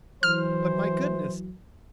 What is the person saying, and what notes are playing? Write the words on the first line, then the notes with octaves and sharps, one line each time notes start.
But, my goodness!
E3 F#3 C5 F6